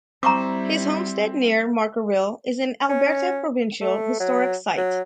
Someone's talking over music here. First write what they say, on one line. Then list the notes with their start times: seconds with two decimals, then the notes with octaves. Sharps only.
His homestead near Markerville is an Alberta Provincial Historic Site.
0.23 G3 C4 E4 A#5 C#6 D6
2.89 C#4
3.81 A3
4.20 F#3
4.77 F#3